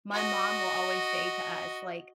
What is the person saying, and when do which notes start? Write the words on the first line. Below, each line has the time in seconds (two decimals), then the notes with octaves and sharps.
my mom will always say to us, like
0.12 F#4 D#5